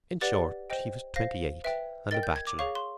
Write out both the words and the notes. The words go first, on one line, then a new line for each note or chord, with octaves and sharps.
In short, he was twenty-eight, and a bachelor.
G4 B4 D5 F#5 A6
C5 D#5 G5
C5 F5 A#6
B4 E5 G5
A#4 D#5 G5 A6
G6
G#6
D6
G#4 C#5 F5 C#6
C6